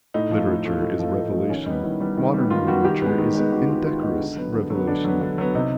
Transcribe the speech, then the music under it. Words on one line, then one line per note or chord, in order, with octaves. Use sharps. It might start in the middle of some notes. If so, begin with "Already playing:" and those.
Literature is revelation. Modern literature is indecorous revelation.
A2 D#4
F3 A3
A2
F3 A3
A2
F3 A3
A2
F3 A3
D#3 C#4
G3 B3 D#4
D#3 E4
G3 B3
D#3
G3 B3
D#3 F4
G3 B3 F#4
D#3 G4
G#3 B3
D#3
G#3 B3
D#3 F#4
G#3 B3 F4
D#3 F4
G#3 B3 D#4
D3
F#3 B3
D3
F#3 B3
D3 D4
F#3 B3
D3
F#3 B3
C3 D#4